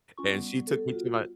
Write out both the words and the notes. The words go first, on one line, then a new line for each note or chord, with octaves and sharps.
and she took me to my
C#4 F4 C#6
G3 B3
A4
F4 F#4